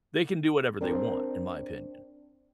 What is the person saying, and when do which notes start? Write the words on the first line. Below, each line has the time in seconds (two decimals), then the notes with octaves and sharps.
They can do whatever they want, in my opinion,
0.81 C4 D4 A#4